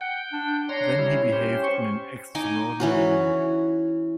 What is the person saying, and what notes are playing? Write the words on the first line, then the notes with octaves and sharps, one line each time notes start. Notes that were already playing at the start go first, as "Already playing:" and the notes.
Then he behaved in an extraordinary way.
F#5 G5
D4
D4 C#5 A#5 C6
G3 C#4 E4
C#4 G4 C5
C#6
D#4 G#5 D6
E3 C#4 F#4